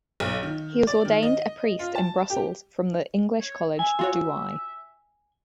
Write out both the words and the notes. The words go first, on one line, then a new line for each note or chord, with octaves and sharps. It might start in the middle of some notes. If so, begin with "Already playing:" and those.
He was ordained a priest in Brussels from the English College, Douai.
B1
D#3
D5
D#3
D#5
F4
A5
G4
C#5
E5 G#5
F4 F#4 C#5